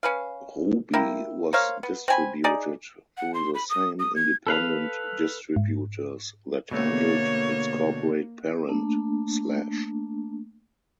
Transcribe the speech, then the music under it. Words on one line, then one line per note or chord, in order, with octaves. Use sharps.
Ruby was distributed through the same independent distributors that handled its corporate parent, Slash.
C#4 B4 F5
A#3 E4 G4
A#3 C5 C#5 F5
B3
C4 G#5 B5
D#4 G#4 D5
F#5
C6
B5
D#6
D#6
G#6
A4 B4 F5
G#2
B2 D3 A3 A#3 C#5
A3 A#3 D4